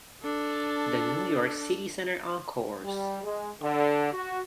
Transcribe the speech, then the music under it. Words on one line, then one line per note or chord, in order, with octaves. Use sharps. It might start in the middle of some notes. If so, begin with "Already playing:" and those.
The New York City Center Encores!
D4 A4
G3
G#3
D3
F#4